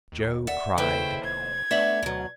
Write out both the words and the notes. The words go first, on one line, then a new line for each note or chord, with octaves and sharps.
Joe cried.
D#2
D5 E5 F#5
D#2 C#3 E4 A4 B4 C5 G5
F1 G#6
A3 B3 D4 D5 E5 B6 F#7
D2 B2 F#3